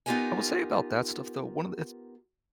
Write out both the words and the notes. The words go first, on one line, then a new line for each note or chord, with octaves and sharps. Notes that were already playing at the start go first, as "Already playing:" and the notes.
I will say about that stuff though, one of the it's
B3 D#4 F4 G4 A#4 G#5